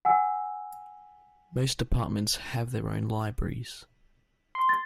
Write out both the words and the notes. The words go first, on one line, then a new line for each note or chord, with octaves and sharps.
Most departments have their own libraries.
F#5 G#5 E6
C6
A6